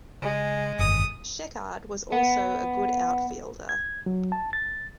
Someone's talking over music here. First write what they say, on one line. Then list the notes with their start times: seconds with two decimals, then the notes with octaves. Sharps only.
Sheckard was also a good outfielder.
0.22 C#3 G#3
0.79 G1 F2 A#2 D#3 D#6
2.12 B3
3.69 G#6
4.06 F#3
4.32 A5
4.53 A6